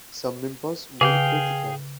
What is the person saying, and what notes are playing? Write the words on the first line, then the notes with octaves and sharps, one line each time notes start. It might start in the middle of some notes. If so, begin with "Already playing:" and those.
Some members were critical.
C#3 G#4 F5 G5